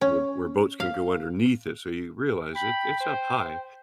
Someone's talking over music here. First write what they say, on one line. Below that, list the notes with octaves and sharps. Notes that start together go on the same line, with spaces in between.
where where boats can go underneath it, so you realize it it's up high.
C#4
F5
G5 B5
C5